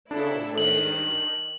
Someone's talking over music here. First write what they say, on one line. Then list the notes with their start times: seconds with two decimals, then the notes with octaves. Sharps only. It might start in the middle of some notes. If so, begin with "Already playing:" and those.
No way.
0.11 D4 E4 A4
0.58 D#3 F#7